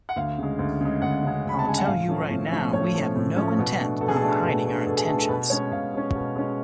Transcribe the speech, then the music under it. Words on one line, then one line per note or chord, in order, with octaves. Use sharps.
I'll tell you right now, we have no intent on hiding our intentions.
F#5
D2 F5
C#3 G#3
D2
C#3 G#3
D2 F#5
C#3 G#3
D2 B5
A5
C#3 G#3 G#5
F#5
A2 F5
F3 A3 C#4
A2
F3 A3 C#4
A2 C#5
F3 A3 C#4
A2
F3 A3 C#4
B2
A3 D4
B2 A4
G#4
A4
A3 D4
B2
A3 D4
B2 A4
G#4
A3 D4 A4
A4
B2 B4
G#3 C#4 C#5
B2 F5
G#3 C#4
B2
G#3 C#4